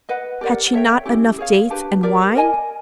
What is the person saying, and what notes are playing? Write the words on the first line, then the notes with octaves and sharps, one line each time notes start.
Had she not enough dates and wine?'
B4 D#5 F#5
G4 A#4 D5 F#5
A4 C#5 E5 G5
C#4 E4 G4
G#4 C#5 F5
D4 G4 B4
G4 A#4 D5
A#4 D#5 G#5